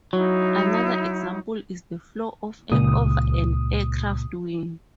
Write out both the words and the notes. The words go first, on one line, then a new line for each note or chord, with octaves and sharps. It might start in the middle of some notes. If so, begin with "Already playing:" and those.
Another example is the flow of air over an aircraft wing.
F#3 D#4 E4
C#2 A#2 D#6